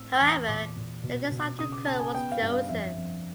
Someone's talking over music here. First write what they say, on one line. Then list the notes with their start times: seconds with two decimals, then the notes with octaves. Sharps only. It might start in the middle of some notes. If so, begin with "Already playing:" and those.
However the design of the curl was chosen.
Already playing: A2 C4 E6
0.13 E6
0.21 E2
0.30 D#6
0.48 A#2 D6
0.77 A#2
1.03 B2
1.31 B2
1.58 C#3 D#6
1.72 D6
1.86 C#3 A5
2.00 G#5
2.15 B3 G5
2.32 F5
2.42 G2
2.51 F5
2.69 F2 E5
2.97 F2